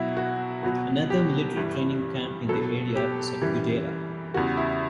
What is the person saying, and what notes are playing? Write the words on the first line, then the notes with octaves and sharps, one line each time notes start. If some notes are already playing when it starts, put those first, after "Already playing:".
Another military training camp in the area is at Guedera.
Already playing: B2 F#3 E4 F#4
F#4
B2 F#3 F#4
G4
G2 E3 G3
B2 F#3 A4
G4
F#2 E3 G3
E2 C#3 G3 F#4
E4